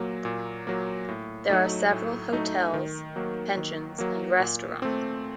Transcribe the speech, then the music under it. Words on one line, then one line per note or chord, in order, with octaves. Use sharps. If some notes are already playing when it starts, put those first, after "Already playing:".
There are several hotels, pensions and restaurants.
Already playing: A#2 F#3 A#3
A#2
F#3 A#3
A2
F#3 A3 D#4
A2
F#3 A3 D#4
D#3
F#3 A#3
D#3
F#3 A#3
A#2
A3 C4